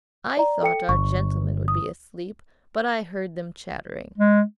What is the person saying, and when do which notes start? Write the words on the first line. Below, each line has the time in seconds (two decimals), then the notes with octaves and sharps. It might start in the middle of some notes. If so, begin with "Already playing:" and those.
I thought our gentlemen would be asleep, but I heard them chattering.
0.37 D5 A#5
0.63 A4 G5 C#7
0.89 G1 C#6
1.68 D#6
4.18 G#3